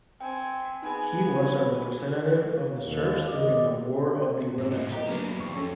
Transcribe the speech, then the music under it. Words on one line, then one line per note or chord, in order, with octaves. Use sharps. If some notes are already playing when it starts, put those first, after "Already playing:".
He was a representative of the serfs during the War of the Remences.
C4 G5 G#5
B3 D#4 G#4 G#5
D#2
G#1 D#3 D5 D#5
G#2
A#2 E4
G4 D#5 A#5
F#3 A#3 B3 D4 E4
F2 C#6
C#4 A4